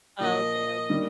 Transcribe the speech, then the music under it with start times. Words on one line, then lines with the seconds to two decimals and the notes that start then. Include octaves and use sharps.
Oh, okay, okay.
0.20 A#2 F3 A#3 D#5
0.90 D#3 G3 A#3 D#4